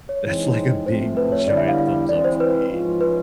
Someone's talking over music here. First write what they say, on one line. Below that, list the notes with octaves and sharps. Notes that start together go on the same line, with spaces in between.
that's, like, a big giant thumbs up for me.
C#5
E3 G#3 C4 D#4
A2 F3 A3 C4 C5
B4
C#5
D3 G3 B3 E4 D5
E5
F5
F5
E3 G#3 C4 E4 D5
C5
B4
G#2 F3 G#3 C#4 F4
B4